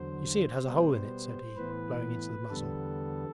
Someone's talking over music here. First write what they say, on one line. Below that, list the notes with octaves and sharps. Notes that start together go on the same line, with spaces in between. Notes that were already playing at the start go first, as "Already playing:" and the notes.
You see it has a hole in it,' said he, blowing into the muzzle.
Already playing: E2 D3 F#3 C5
B2 G3 B3
A2 E3 B3 B4
E2 D3 G3 B3 A4